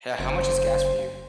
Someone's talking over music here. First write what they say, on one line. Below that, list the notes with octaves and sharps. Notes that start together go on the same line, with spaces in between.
Ho how much is gas for you?
F#1 C5